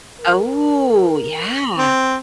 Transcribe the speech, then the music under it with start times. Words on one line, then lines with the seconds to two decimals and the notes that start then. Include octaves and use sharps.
Oh, yeah.
0.21 A#4
1.78 C4